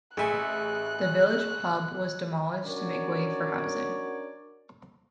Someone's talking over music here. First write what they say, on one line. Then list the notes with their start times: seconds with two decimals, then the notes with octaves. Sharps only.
The village pub was demolished to make way for housing.
0.17 A1 G#4 E5 G#5 C#6 F#6
2.63 C#4 D4 F#4 A#4 C#5 D5